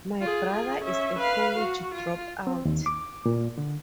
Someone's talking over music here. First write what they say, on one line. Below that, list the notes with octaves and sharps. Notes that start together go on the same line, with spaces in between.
My brother is a college dropout.
F4 G#4
F4 G#4
C#4 E5
B4 F5
F#4
F4
C4
D#2
D6
A#2
D3